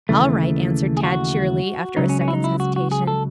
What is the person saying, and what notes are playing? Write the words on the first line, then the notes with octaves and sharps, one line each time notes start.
"All right," answered Tad cheerily, after a second's hesitation.
D#2 C#3 E3 A3
G#4
F#4
C#2 C#3 F#3 D#4
C#4
C#4
E4
D#4
E4
F#4
F#4
G#4
A4